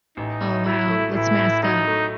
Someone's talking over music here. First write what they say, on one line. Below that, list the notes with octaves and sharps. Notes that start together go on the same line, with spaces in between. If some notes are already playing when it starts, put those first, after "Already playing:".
Oh, wow. Let's mask up.
A1 D#4
A2
F#3 E4
A3
A1 E4
A2
F#3 D#4
A3